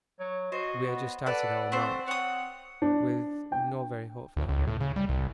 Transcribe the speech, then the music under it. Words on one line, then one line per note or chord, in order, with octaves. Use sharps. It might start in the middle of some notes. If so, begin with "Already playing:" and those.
We are just starting our march with no very hopeful outlook.
F#3 C#5
F#4 C5 D#5
B3
A4 B4 D5 F#5
A3 C4 C5
C4 C#5 F#5 D#6
D4
G5
D2
C#2
A2
C#3
G3
C2